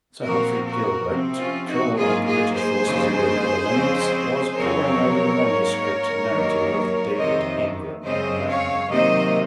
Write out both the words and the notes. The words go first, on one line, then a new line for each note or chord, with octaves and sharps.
Sir Humphrey Gilbert, colonel of the British forces in the Netherlands, was poring over the manuscript narrative of David Ingram, mariner.
A#2 F3 C4 F#4 A#4
F#4 A#4
C3 F3 C4
C#4 F4
D#4 F#4
G#2 F#3 A#3 F4 G#4
F4 G#4
G#4 C5
D#2 C#3 F3
F2 C#3 G#3 C4
F2 C#3 F#3 C4 A#4 C#5
G#2 F#3 A#3
D#2 D#3 F#3 A#3
F2 C3 D#3 C5 D#5
F#2 C#3 G#3 C4 C5 D#5
C#5 F5
C3 D#3 F#3 A#3 C5 D#5